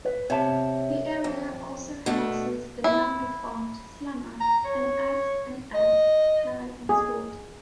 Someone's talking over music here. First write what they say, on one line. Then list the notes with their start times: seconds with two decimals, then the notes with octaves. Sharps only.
The area also houses the now defunct "Slammer", an S and S Sky Swat.
0.05 B4
0.30 C3 C#5 E5 A5
1.24 F2
2.06 B2 A3 D4
2.84 E4
4.41 A#5
4.65 C#5
5.75 D#5
6.89 G#4